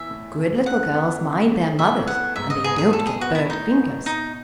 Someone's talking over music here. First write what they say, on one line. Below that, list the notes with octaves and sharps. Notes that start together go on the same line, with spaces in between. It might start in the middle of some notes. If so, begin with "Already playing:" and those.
"Good little girls mind their mothers and they don't get burnt fingers."
Already playing: E2 E3 E5
A2
A3
F#2 F#5
B3
C#3
A3
A2 E5
B3 F#5
G#2 E5
D#5
B3 G#4
G#4
B2 A4
G#4
B3 F#4
E4
A2 D#4
B3
B2 D#4